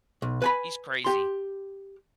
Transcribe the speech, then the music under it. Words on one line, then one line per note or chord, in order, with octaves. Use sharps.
He's crazy.
B1
B4 G#5 B5
G4 C6